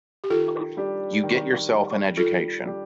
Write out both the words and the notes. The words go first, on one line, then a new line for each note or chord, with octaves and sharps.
You get yourself an education.
G4
D#3 F4 A4
G3 D4 G4
D#3
G3 D4 G4
D#3 F4 A4
G3 D4 G4